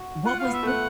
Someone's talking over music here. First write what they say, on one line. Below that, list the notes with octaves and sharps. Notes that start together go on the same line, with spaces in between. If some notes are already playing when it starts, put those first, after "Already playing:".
what was the
Already playing: F#4
F4 F#5
F5
B3
E5
A3 F#5